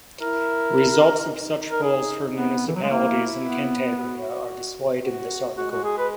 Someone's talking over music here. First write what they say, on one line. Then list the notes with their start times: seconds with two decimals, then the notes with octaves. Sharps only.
Results of such polls for municipalities in Cantabria are displayed in this article.
0.21 E4 A#4
1.29 D#4
1.71 A#4
1.83 G#4
2.36 B3
2.67 E3
2.76 F#3
2.83 G#3
2.89 A#3 E4
3.43 B3
3.97 F#4
5.04 F#4
5.58 G#3 F#4
5.71 F#4
5.84 G#4
5.98 B4